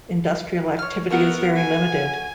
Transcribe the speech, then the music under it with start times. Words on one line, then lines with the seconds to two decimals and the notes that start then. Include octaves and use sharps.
Industrial activity is very limited.
0.79 C#5 F6
1.11 A3 B3 F#4 A#4 F#5
1.56 G#5